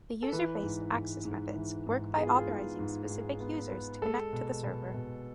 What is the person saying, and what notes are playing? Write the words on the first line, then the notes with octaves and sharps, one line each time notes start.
The user-based access methods work by authorizing specific users to connect to the server.
A4
E3 B4
G#2
G#2
G#2
E3
G#2
B3 G#4
F4
G#4
G#2
G#2
G#2
B3
B3
G#3 A4
B2
B2
B2